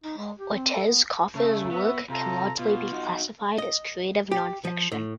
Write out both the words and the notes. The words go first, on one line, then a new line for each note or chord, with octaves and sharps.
Ortiz Cofer's work can largely be classified as creative nonfiction.
D#4
G#3
G4
C4
A4
B3
C#3 A3
B3 F#4 E5
C3 F4 A4 A#5
B2 F4
D#4 F#4
D#5
G4
F3
A2